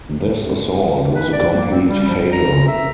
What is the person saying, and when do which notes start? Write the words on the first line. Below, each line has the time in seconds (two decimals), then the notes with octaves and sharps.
This assault was a complete failure.
1.13 B4
1.32 D5
1.54 A#3
1.70 C4
1.85 G3
2.07 F3
2.32 A#5
2.67 E5